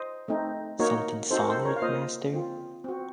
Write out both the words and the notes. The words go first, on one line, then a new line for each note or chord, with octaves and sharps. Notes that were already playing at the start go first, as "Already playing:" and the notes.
Somethin’ solid, master?
Already playing: C5 D#5
A3 C4 D#4
A#3 D#4 F#4 A#4 C#5
C4 D#4 F#4 A4 C5
A#4
A4 C5
A#4 C#5
F5
A#3 F4 C5 D#5
C4 F4
C4 F#4